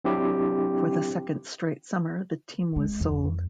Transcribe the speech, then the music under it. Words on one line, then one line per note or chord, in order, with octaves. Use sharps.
For the second straight summer the team was sold.
F#3 C4 D4 E4 G4
G#3
F2